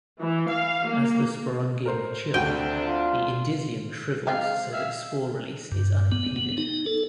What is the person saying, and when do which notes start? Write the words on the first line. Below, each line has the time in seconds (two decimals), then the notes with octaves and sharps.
As the sporongia mature, the indusium shrivels so that spore release is unimpeded.
0.20 E3
0.50 F5
0.88 A#3
1.86 A#4 C5
2.34 D2 C3 D4 F#4 G5 D#7
2.84 F4
4.27 G#3 C4 F4 F5
4.73 E5 F5
5.72 G2
6.12 B3
6.36 B3
6.58 D#4
6.86 A4